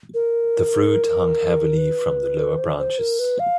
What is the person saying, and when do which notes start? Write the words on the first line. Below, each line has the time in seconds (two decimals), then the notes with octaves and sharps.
The fruit hung heavily from the lower branches.
0.14 A#4
1.77 B4
2.58 C5
2.79 C5
2.99 A#4
3.19 B4
3.39 F5